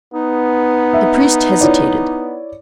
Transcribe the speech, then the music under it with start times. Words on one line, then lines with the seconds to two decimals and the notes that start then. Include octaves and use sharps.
The priest hesitated.
0.14 B3 D#4
0.93 E5
1.61 E4 C#5 D5